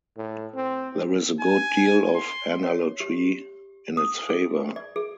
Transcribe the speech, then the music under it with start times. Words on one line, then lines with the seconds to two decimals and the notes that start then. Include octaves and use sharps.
There is a good deal of analogy in its favor.
0.17 A2
0.54 C4
1.41 G#5
2.15 C6
2.63 C#5
3.00 G4
3.97 D#6
4.29 G#4
4.76 D5
4.96 G#4